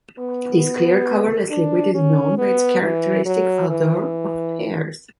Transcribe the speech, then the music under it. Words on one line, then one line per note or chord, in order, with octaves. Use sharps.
This clear, colorless liquid is known by its characteristic odor of pears.
B3
D4
C#4
B3
E3
F#3
E3